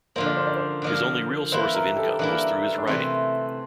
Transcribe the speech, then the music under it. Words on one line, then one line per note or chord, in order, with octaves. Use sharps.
His only real source of income was through his writing.
D3 F3 A#3 C5
D5
C5
D5
C5
D3 F3 A#3 D5
E3 A#3 E4 C5
A#4
G4
A4
E3 A#3 D4 E4
D4
C3 E3 A3 C4